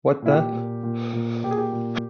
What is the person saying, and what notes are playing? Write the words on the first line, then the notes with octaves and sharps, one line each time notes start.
What the...?
A#2 E4
G4
A#2
A#2
A#2
A#2 G4
G#4
G4
A#2